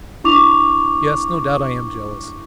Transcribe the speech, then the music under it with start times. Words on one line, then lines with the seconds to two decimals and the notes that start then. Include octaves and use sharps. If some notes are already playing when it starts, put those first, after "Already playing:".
Yes, no doubt I am jealous.
0.24 D4 E4 C#6 D6 F7